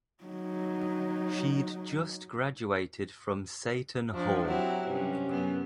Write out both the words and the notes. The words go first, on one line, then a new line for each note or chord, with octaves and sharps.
She'd just graduated from Seton Hall.
F#3 D#4
F3 D4
F#3 C4 E4 G4
G2 C3 F#3 C#4
F#2 B3